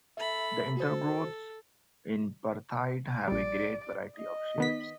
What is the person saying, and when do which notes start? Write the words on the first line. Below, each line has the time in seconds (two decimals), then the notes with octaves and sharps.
The intergrowths in perthite have a great variety of shapes.
0.17 A4 E5 B5
0.77 F#4 A4 C5
3.28 A#1 G3 D5
4.17 D#5
4.58 D#3 B3 B6